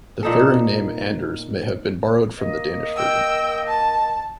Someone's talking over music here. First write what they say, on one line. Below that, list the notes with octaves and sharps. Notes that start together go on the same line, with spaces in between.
The Fering name Anders may have been borrowed from the Danish version.
A#2 D#4 A4
A#3 D#5
G5 E6
A5